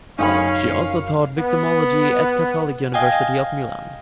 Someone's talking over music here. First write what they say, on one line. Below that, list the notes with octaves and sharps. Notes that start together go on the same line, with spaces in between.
She also taught victimology at Catholic University of Milan.
F#2 C#3 C#4 D#4 E5 F5 B5
B3
D#5 F5 G5 G#5